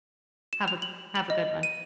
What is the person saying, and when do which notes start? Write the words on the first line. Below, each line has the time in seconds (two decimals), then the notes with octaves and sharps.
Have a have a good one.
0.53 E7
0.68 F7
0.82 F#7
1.15 F#7
1.30 D#5
1.63 D#7